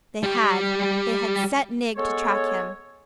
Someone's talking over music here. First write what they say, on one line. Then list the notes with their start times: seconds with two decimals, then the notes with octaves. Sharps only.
They had--they had set Nig to track him.
0.23 G3 G4
1.97 G#3 B3 A4 C#5